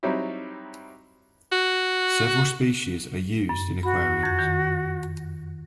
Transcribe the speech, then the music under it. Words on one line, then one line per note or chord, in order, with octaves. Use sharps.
Several species are used in aquariums.
F#3 G3 C4 D#4 E4
F#4
F#2
F#4 B5
F2 G6
D#3